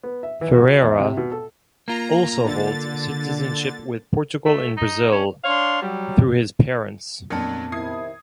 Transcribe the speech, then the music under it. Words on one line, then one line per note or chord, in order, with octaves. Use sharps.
Ferreira also holds citizenship with Portugal and Brazil through his parents.
B3
E5
E3
F#4
E2
C3
B2
A4
A#3 F4 A#5
D3 A6
A3
D#4
C#4
D4 C#5 F5 C6
F#3 G3
F2 A#2 F#3 B3 D4 A5 C#7
C3 D#3 E4 D#6 G#6 C7